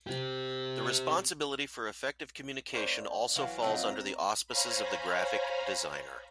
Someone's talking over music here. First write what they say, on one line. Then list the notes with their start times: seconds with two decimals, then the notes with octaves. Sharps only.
The responsibility for effective communication also falls under the auspices of the graphic designer.
0.07 C4 G4
2.74 A#3 C#4 C5 D5
3.35 E3 F#3 F4
3.62 F3 F#3 C4 D#4 E5
3.87 A#5
4.47 C5 C#5 F5 G#5 A#5 B5